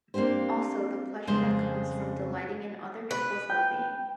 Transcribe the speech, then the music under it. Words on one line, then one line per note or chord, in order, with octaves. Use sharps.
Also: the pleasure that comes from delighting in other people's well-being.
A#3 C4 D4 G4 C5
F2 C#3 G3 G#3 C5
B4
G5